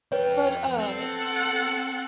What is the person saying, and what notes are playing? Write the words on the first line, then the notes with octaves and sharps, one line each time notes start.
But, uh,
F2 B4 C#5 G5
C4 A4 F#5